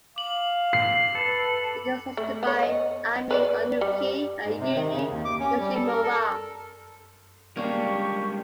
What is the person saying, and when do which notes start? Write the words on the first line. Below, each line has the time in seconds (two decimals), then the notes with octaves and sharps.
It was hosted by Ami Onuki and Yumi Yoshimura.
0.16 F5 D6 F#7
0.73 C7
1.15 A4 B4
2.17 A3
2.43 B3 C#5
2.63 D#5
3.31 B4 C5 D5
3.81 G3
4.44 G#2
4.59 C3
4.75 D#3
4.92 C#3
5.10 D#2
5.25 D6
5.40 C#4
5.59 G3
5.74 A4
5.87 A#4
6.04 A4
7.57 G3 G#3 A#3 C#4 D4 G4 C#6